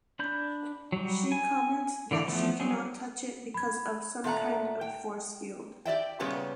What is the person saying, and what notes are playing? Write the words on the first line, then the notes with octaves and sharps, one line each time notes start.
She comments that she cannot touch it because of some kind of force field.
D4 B5 G6
F#3 G3
G#5
D3 E3 D5
E3 F3 A3 B3
F#3 G3 B3 C4 G#4
B5 G#6
A#2 A3 F#5 A#5
G5
G4 D5 E5 G5
A#2 C#3 G3 B3 C#4 G4